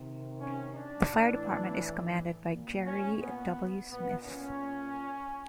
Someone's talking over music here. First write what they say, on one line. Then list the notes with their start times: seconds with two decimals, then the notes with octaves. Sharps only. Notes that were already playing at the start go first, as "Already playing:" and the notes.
The fire department is commanded by Jerry W. Smith.
Already playing: C3 D#3
0.40 C#4
0.74 D4
1.10 A2 E3
2.50 A#2
2.85 C#4
3.20 B3
3.90 A#2 B3
4.25 C#4